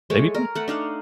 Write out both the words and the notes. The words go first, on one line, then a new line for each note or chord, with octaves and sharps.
maybe not.
G#3 A3 C#5
A#4
A3 F#5
D4 D#4 F5 F#5